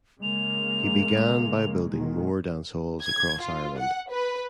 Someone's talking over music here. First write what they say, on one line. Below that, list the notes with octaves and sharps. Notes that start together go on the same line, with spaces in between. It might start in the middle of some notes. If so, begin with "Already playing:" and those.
He began by building more dance halls across Ireland.
C#3 G#3 A#3 F7
B2 D#3 G#3
G#6
F4
F#5
B4